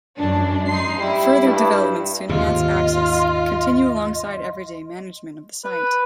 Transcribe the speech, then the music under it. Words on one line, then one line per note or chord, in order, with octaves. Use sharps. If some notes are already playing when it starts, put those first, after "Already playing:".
Further developments to enhance access continue alongside everyday management of the site.
F#2 D4
D#4 C6 C7
G3 E4
G2
D#2 G#2 C3 F4 D#5 C6
B4